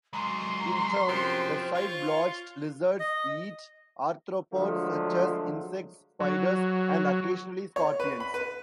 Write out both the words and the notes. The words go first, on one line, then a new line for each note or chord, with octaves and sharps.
In turn, the side-blotched lizards eat arthropods, such as insects, spiders, and occasionally scorpions.
F#3 G#3 A#5 C6
F#2 C3 F3 C#4 C5 G5
F4 C#5
D#5
D3 F3 F#3 G#3 A3
F#3
C#5
B4
B5
B4